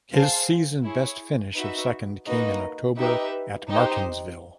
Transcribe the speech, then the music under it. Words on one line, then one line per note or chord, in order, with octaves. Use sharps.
His season best finish of second came in October at Martinsville.
G#4 C5 F5 A5
E4 G#4 C#5
D#4 F#4 B4 E5
A#3 D#4 F#4 B4 D#5
D#4 G4 B4 E5
D#4 G4 C5